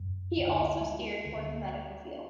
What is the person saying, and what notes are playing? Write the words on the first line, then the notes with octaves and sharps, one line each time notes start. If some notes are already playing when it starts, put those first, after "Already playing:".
He also steered toward the medical field.
Already playing: F#2
D2
G#3
D2